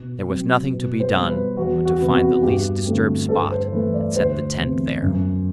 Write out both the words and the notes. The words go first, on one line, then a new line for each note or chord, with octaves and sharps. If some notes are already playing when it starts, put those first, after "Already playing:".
There was nothing to be done but to find the least disturbed spot, and set the tent there.
Already playing: B2
F#3 C4
B2
C5
G3 B3
B4
E2 F#4
F#4
C3 E3 B3
F#4
G2 G4
D3 A3 C4
G2 A4
C5
E3 A3 B4
D5
D2 C5
C3 E3 B3
F#2